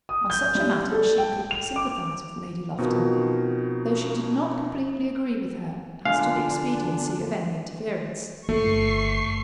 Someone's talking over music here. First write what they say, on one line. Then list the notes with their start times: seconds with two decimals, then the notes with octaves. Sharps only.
On such a matter she could sympathize with Lady Lufton, though she did not completely agree with her as to the expediency of any interference.
0.09 D#6
0.30 G6
0.55 G3
0.91 A4
1.18 G5
1.51 F7
1.76 D6
2.78 B2 F3 C4 D#4 F#4 A#4
6.05 D3 F3 B3 D4 F5 G#5
8.49 G1 D3 A3 C#6 C7